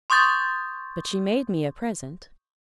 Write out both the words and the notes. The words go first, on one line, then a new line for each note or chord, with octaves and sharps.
But she made me a present.'
C6 C#6 D#6 G6 A6